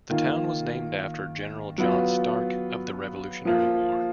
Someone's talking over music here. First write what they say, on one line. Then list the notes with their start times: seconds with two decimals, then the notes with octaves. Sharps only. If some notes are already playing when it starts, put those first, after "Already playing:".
The town was named after General John Stark of the Revolutionary War.
0.10 D#3 A#3 F4
1.78 F#3 B3 F4
3.45 F3 A#3 F4